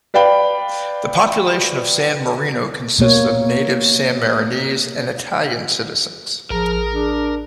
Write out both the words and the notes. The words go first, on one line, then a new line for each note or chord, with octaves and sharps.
The population of San Marino consists of native Sanmarinese and Italian citizens.
B4 D5 F5 G5 B5
B2 A#3 C#5
A1 F3 G#4 A#4 A#5
D4